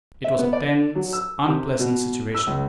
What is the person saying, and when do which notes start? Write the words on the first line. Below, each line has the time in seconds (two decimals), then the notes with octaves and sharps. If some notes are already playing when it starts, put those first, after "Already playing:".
It was a tense, unpleasant situation.
0.24 E5
0.39 B3
0.53 D5
0.95 F#3
1.13 E6
1.48 C3
1.79 B2
2.34 E6
2.47 C#2